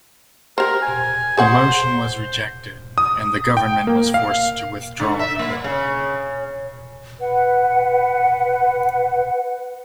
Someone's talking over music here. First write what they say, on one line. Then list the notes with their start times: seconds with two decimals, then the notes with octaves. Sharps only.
The motion was rejected and the government was forced to withdraw the Bill.
0.58 G4 A#4 C5
0.82 G#5
1.37 G#4 C5 C#5 F#5
2.98 D#6
3.57 G5
3.87 A#3
4.14 F5
5.00 D3
5.19 E5
5.39 A#3
5.64 C#3
7.19 B4 F#5